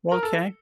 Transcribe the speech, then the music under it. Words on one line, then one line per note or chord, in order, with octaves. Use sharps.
Well 'kay.
A#4
A4